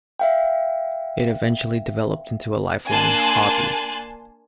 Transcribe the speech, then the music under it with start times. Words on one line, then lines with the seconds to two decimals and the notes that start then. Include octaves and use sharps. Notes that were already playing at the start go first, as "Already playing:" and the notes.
It eventually developed into a lifelong hobby.
0.19 E5 F5 G5
2.90 A#3 D4 G#5 A5 C6 F#6